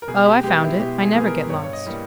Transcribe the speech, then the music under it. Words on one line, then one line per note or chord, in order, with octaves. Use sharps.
"Oh, I found it, I never get lost."
A#4
B2 G#4
G4
G#3 B3 G4
E4
B2 G4
G#4
G#3 B3 G#4
A#4
G2 C#5
C#5
D#5
E3 G3 A#3